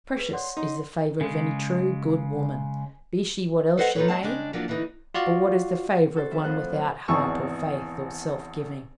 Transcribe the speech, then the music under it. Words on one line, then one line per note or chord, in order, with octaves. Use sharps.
Precious is the favor of any true, good woman, be she what else she may; but what is the favor of one without heart or faith or self-giving?
G#4 B4
C#5 D5 F#5 C6
D#4 C6
C#3 G#3
A4 B4 C5 D#5 F#5
D#4 F4 G#4 A4 B4 C#5
D#2 G#3 C4 A5
C#3 G3 G#3 D4 G4
F3 F#3 A#3 D4
D3 E3 B3 C4 D#4
F4 F#4 D5 F5
F#4 A4 C5
F2 E5
F2 A2 C5 F#5 F6 F#6
F#3
G#1 E2 G#4 C#6 E6